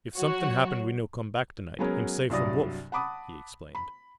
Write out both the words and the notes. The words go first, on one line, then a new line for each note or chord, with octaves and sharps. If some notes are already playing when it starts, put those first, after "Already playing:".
"If somethin' happen we no come back to-night heem safe from wolf," he explained.
F#3 F#4 C#5
F#3 G#3 B3 C#4 A#4
C2 G2 F#3 D5 D#6 A#6
F#5 A5 B5 D6 D#6
B5